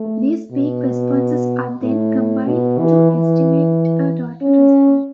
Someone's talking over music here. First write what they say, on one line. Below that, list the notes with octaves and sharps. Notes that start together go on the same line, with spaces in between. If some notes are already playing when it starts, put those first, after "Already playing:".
These peak responses are then combined to estimate a total response.
Already playing: A3
B2
A2
B2
E3
E3
C#4